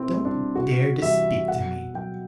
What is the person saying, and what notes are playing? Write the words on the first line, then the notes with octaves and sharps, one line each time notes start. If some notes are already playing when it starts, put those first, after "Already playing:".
"Don't dare to speak to me."
Already playing: B2 C4 E4
G3
D4
C3 F#4
E3 G3 E5
B2 F#5
F#3 G5